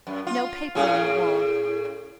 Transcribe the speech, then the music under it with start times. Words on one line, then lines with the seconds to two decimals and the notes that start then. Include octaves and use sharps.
No paper on the wall!
0.07 F#2
0.27 F4
0.75 A2 C#4 G#4